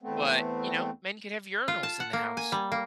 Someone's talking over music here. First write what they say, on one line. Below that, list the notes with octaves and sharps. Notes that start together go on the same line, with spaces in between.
but, you know, men could have urinals in the house.
E2 A3 B3 C4
F4
A5
F#5
A#3
G#5
G3
A#3